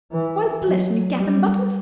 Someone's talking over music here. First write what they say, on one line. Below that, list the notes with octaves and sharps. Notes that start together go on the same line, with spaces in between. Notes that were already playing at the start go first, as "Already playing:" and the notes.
Why, bless me cap and buttons!
E3
F#3
G3